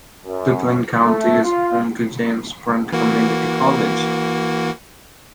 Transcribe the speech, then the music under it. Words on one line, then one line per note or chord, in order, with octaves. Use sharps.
Duplin County is home to James Sprunt Community College.
F#2
A3
F4
E3 A#3 F#4